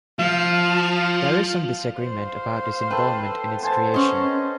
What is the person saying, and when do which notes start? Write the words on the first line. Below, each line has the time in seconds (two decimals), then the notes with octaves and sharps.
There is some disagreement about his involvement in its creation.
0.19 F3 F5
1.99 C5 F5
2.91 A4 B4 G5
3.63 B3 C5 G#5 A5
3.94 C#4 C5 D#5